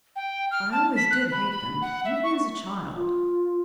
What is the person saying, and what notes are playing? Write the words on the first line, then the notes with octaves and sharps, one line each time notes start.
I always did hate them, even as a child.
G5
F6
A5
B6
F#6
B5
B5
F#5
E5
C#6
F4